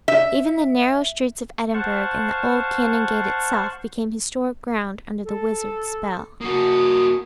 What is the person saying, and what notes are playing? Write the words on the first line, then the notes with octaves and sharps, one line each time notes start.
Even the narrow streets of Edinburgh and the old Canongate itself became historic ground under the Wizard's spell.
E5
C5 F5 F#5 A5 C#6
A4
A#3 F#4 D#6